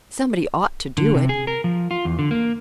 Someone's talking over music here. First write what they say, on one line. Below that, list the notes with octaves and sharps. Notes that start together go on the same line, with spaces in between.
Somebody ought to do it.
D3
C3
G#4
A#4
F3
F4
E2
D3
A#3